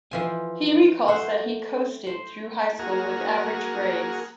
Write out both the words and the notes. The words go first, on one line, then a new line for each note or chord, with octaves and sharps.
He recalls that he 'coasted' through high school with average grades.
E3 F3 G#5
A3 C5 F#5
C5
A#3 F#4 G#4 A#4